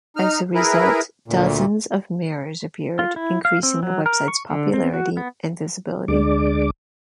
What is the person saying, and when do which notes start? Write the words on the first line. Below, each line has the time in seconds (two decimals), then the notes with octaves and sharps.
As a result dozens of mirrors appeared, increasing the website's popularity and visibility.
0.17 D#4 F6
0.55 E4 G#4 A#4 B4
1.28 D2 A#2
2.99 F4
3.16 E4
3.45 F5
3.63 C4
3.83 F#3
4.06 A#4
4.28 C#6
4.50 D3
4.74 C4
4.94 F#4
5.17 B3
6.08 D2 G#3 D4 D5 D6